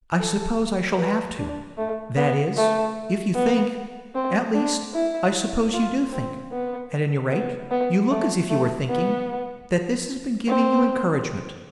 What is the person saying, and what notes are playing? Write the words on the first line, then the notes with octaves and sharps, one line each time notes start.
'I suppose I shall have to--that is, if you think--at least, I suppose you do think--at any rate, you look as if you were thinking--that this has been giving you encouragement.'
A4
B4
D4
A3
B3
A3
B3
C4
D4
E4
F4
C4
B3
B3
B3
A3
A3
B3
C4